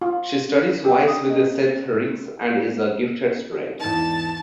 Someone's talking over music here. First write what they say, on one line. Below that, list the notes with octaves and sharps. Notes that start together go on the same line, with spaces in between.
She studies voice with Seth Riggs and is a gifted student.
F4
G4
D#6
D#5
E2 G#2 A5